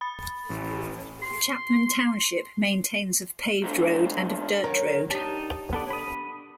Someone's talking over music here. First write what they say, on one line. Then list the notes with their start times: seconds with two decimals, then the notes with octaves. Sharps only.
Chapman Township maintains of paved road and of dirt road.
0.01 B5 A6
0.50 A1
1.22 C6
3.64 G#2 D3
4.64 D#3 F#3 C#4 A#4
5.10 D4 D#4 G4 A5
5.73 B3 A4 D5
5.90 B5 D#6